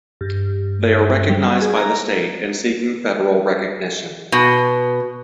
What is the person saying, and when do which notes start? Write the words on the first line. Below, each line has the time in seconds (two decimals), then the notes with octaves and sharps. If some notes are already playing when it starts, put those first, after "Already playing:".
They are recognized by the state and seeking federal recognition.
0.21 G2
1.29 G3
1.62 G#4
1.77 A#5
4.32 B2